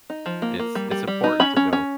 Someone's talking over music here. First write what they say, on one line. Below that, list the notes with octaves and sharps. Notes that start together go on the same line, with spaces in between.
it's, it's important to know.
D#4
F3
A#3
A#3
G3
G3
G3
D#4
C#4 B5
C#4
C#4